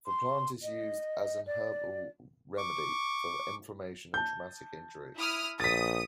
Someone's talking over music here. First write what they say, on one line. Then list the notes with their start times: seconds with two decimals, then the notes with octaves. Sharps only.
The plant is used as an herbal remedy for inflammation and traumatic injury.
0.05 C6
0.62 D#5
1.46 D5
2.58 C#6 D6
4.14 A5 G6
5.16 E4 D#6 F6
5.60 A#1 D#6 A6 B6